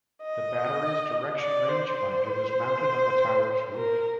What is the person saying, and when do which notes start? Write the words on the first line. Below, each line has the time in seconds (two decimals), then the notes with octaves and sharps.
The battery's Direction Range Finder was mounted on the tower's roof.
0.22 D#5
1.40 D5
1.69 C5
1.99 C5
3.76 A#4